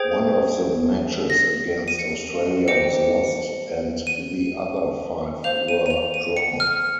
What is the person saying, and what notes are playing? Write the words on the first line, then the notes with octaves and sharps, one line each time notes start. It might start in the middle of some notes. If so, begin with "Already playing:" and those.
One of the matches against Australia was lost, and the other five were drawn.
Already playing: G#4 C5 G5 G#6
A#6
D#7
C#7
G4 C5 D#5 G5 C#7
D#7
C5 F5 F7
D#7
D#7
F7
D#7
C#7
F6